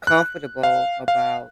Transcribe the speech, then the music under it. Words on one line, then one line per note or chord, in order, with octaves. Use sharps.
comfortable about,
F#6
F5
F5